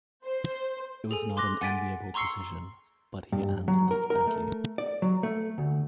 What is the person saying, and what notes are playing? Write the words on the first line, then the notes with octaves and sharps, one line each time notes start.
It was not an enviable position, but he handled it badly.
C5
G#4 A4 G#5
C6 D6 F#6 A#6
F#5 G#5 A6 B6 D7 D#7
A#5 C6 C#6 E6 C7 C#7
G2
F#3
A#4
A#4
A3
D5
F#3
A3
D2